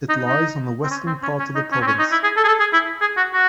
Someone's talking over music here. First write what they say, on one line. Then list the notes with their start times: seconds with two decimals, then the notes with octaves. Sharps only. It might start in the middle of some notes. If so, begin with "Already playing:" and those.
It lies on the western part of the province.
0.09 D#4
0.26 D#4
0.83 C4
0.90 C#4
1.07 C4
1.23 C#4
1.39 C#4
1.55 D#4
1.72 C#4
1.82 C4
1.87 C#4
1.99 D#4
2.12 E4
2.23 G#4
2.37 A4
2.44 G#4
2.48 A4
2.60 G#4
2.73 E4
3.01 G#4
3.17 F#4
3.33 F#4